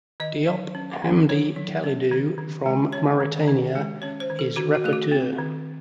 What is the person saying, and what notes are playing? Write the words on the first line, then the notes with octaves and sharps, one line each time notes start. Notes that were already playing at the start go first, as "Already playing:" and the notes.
Diop Hamdi Kalidou from Mauritania is Rapporteur.
D#3 D#5
F#3
C#4
D#3
D#3 C#5
F#3
C#4
D#3
D#3
G#3
C#4 C#5
D#3
D#3
G#3
C#4 C#5
C5
D#3
A4
D#3 F#4
F#4
A3 G#4
F#4
C4
D#3